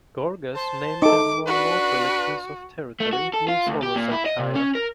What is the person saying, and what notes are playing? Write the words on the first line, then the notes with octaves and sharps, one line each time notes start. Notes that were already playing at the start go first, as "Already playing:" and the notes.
Gorges named his more northerly piece of territory New Somersetshire.
C5 A5
D#4 A4 D6
D4 F#4 B4
A3
F#4
A4
F4
D2
G4
A#2
E4
D#5
C3
C#4
A#4